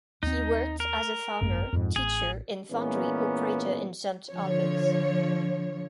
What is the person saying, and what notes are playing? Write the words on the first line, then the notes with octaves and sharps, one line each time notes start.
He worked as a farmer, teacher, and foundry operator in Saint Albans.
D#2 C4 D#4
A#4
G#1 F#2 A#3
F2 G#2
A1 G#4
A#2 E3 G#3 A#3 B3 C#4
D3 F3 C#5